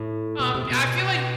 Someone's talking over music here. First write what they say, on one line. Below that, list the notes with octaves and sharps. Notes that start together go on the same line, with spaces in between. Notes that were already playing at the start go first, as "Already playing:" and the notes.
Um, I feel, like, w
Already playing: A2
B2
C3
C3
B2